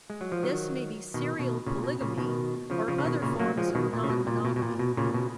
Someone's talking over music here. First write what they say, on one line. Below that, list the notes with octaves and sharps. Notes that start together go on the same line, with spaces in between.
This may be serial polygamy or other forms of nonmonogamy.
G#3
F#3
F3
D#3 F#3
B2 D#3
B2 D#3
A#2 C#3
A#2
B2
A#2 C#3
B2 D#3
C#3 F3
C#3 F3
C#3
B2 D#3
A#2 C#3
F#3 A#3
F3 G#3
B2 D#3
A#2
C#3
B2
A#2
B2
B2
A#2
B2
A#2 C#3
B2